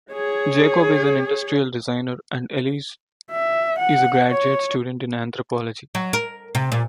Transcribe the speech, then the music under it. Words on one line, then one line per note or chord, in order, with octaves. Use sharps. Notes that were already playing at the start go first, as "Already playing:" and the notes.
Jacob is an industrial designer and Elyse is a graduate student in anthropology.
G#4 C#5
E5
F#5
C#5
F#3
A#4
C3
A#2